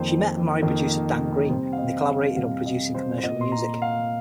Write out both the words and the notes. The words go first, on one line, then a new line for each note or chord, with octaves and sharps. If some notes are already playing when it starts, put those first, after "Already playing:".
She met and married producer Dan Green, and they collaborated on producing commercial music.
Already playing: F2 D#3 A#3 C5
F2 D#3 A#3
C3 G3 C4 C5
F5
D#5
F5
C3 G3 C4 F5
D#5
C5
C5
A#2 A#3 D#5
C6
A#5
F5